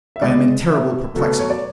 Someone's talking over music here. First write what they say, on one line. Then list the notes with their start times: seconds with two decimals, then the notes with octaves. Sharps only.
I am in terrible perplexity.
0.16 E5
0.21 C#3 G#3 D5
0.68 E5
1.14 B2 F#3 A3 A4
1.28 B4
1.39 C#5
1.50 D5